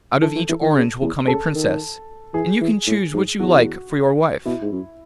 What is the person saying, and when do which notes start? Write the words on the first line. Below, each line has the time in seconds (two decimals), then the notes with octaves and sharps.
Out of each orange will come a princess, and you can choose which you like for your wife.
0.22 E3 A4
0.36 E3
0.49 E3
0.62 E3
0.75 C#3
1.01 E2
1.28 C#3 A4
1.55 D#3
2.34 E3 G#4
2.61 E3
2.87 A2
3.14 G#2
3.39 E2 F#4
4.45 B2 E4
4.62 G#2
4.72 F#2